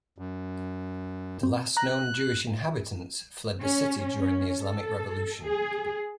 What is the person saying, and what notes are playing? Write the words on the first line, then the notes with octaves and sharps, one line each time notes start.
The last known Jewish inhabitants fled the city during the Islamic Revolution.
F#2
C4
A#5 F#6 A#6
C#4
C#4
A4
G#4